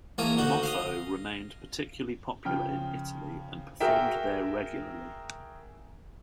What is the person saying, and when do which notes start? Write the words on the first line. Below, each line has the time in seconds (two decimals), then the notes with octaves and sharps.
Moffo remained particularly popular in Italy and performed there regularly.
0.18 E2 A#3 C#5 A5 D#6
0.37 D2 D#4 F#4
0.63 D#5 F5
2.45 C#3 F3 G5 F6
3.80 F#4 G#4 A#4 E5 G5